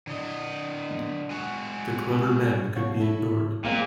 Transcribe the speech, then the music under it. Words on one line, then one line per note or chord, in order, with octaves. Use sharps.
The clever men could be ignored.
D3 D#5
G#3 F#4
B2 C#5 F5 F#5
E4 A4
A#2 G#3 C4 F5